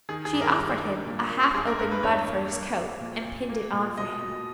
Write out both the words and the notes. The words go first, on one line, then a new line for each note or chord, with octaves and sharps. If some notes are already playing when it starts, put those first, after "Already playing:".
She offered him a half-opened bud for his coat and pinned it on for him.
D#3 G#4
G#4
G2
A#4
G3
G2
A#2
A#3
G2 G#4
A#4
G2 A#4
B4
E2 C#5
A#3
A#3
A#3
A#2
A#2
A#3
A#2
B2 D#5
B2